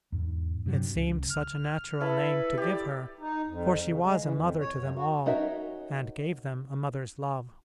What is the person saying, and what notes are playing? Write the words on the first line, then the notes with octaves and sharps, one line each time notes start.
It seemed such a natural name to give her, for she was a mother to them all, and gave them a mother's love.
E2 G#2
G2 C3 E3 F#3
C#2
F6
E4 A4 B4
G4 D5
D#4
F2
C#3
G#3
E3
F2
C#5
F#2
F#4
C#4 D#4 F#4 A#4 E5